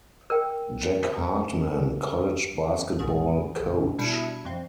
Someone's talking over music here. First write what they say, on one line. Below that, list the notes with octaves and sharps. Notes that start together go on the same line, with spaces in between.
Jack Hartman, College basketball coach.
A#4 G5
A#1 G#2 D#3 G#4
A#1
B2 G3 D4 E4 G#6 C#7
F2 C4